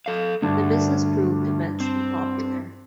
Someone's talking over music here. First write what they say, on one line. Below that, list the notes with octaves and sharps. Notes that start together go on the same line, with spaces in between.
The business proved immensely popular.
A4 F5
D2 G2 D4
C4